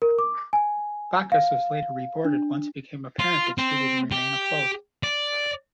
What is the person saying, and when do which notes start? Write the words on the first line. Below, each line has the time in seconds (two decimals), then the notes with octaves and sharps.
"Bacchus" was later reboarded once it became apparent that she would remain afloat.
0.02 A#4
0.19 D6
0.53 G#5
1.32 F5
2.25 D4
3.19 F4
3.58 C4
4.12 G4
5.03 D5